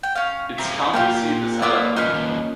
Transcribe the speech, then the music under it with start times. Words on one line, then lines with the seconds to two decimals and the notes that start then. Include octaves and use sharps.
Its county seat is Alamo.
0.03 G5
0.15 C#4 F5
0.58 C4 E5 F5 A#5
0.94 A#3 F4 G4 F5 G5
1.62 A#3 B3 D5
1.96 A#3 C#4 D#4 F4 B4 F6